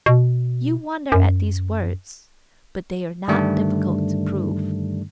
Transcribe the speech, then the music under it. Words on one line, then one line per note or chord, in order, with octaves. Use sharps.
You wonder at these words, but they are not difficult to prove.
B2
F#2
G2 D3 D#3 G3 A3 D4